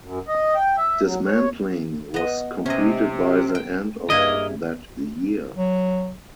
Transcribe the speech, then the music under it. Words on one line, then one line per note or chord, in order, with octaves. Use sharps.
Dismantling was completed by the end of that year.
F#2
D#5
G5
E5
F#3
C#5
B3 D#5
C3 C#4 D#5
G5
G2 A#3 E4 G#4 D#5
F#3